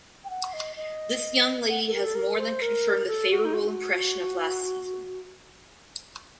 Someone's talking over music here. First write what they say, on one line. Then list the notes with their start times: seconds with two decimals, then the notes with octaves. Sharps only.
This young lady has more than confirmed the favourable impression of last season.
0.24 G5
0.30 F#5
0.53 D#5
0.76 D#5
1.69 F#5
1.87 A4
1.93 A#4
2.04 A4
2.15 A#4
2.39 C5
2.62 A#4
3.08 A4
3.31 F#4
3.45 D#4
3.54 F#4